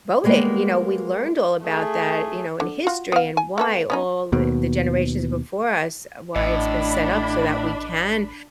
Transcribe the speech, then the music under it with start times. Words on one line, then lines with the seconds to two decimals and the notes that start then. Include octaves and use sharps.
voting. You know, we learned all about that, you know, in history and why all, eh, the generations before us, why it's been set up so that we can
0.24 G3 G#3 A#3 B3
1.64 A3 G#4
2.60 D3
2.87 F4 F#4
3.12 B3 F5
3.37 G#5
3.58 A3 B3 A4
3.90 B3 C#4 D#4
4.32 D#2 B2
6.36 A1 A2 D4 D#5 B5